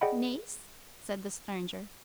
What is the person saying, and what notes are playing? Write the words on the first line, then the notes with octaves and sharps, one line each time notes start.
"Niece?" said the Stranger.
G#4 D5 D#5 F#5 G5 B5